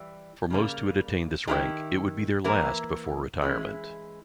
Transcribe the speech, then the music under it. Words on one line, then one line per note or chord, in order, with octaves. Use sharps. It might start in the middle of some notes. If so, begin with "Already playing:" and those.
For most who had attained this rank, it would be their last before retirement.
Already playing: E3 G3 E4
C#3 G3 A#3
D#3 G3 A#3 E4 G4
E3 A#3 E4 A#4
E3 G#3 C#4 E4